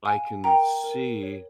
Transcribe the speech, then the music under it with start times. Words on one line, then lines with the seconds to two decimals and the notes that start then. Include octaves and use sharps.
I can see
0.05 F5 G#5
0.44 A#4 G5 A#5
0.84 A#4
1.23 C#5